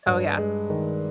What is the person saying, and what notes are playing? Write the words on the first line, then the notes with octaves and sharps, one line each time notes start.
Oh, yeah.
G2
G#3
D#3